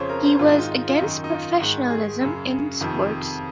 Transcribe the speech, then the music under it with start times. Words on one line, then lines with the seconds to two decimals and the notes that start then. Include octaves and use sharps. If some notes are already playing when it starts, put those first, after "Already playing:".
He was against professionalism in sports.
Already playing: F2 C#3 C5 C#5
0.09 A#4
0.24 C5
0.39 G#2 D#3 F4
0.49 D#4
0.58 F4
0.88 F4
0.99 F#2 D#3 D#4
1.24 D#4
1.30 F4
1.60 G#2 D#3
1.90 G#4
2.20 F#2 C#3
2.80 F2 C3 D#3